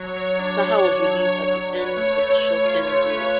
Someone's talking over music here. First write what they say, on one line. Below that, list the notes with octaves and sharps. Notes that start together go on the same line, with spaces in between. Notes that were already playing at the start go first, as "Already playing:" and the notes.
Saha was released at the end of the short-term deal.
Already playing: F#3 C#5
F#3
D4
D4
D4
F#3
F#3
F#3
B4 C#5
A3
A3
A3
F4
A3
B4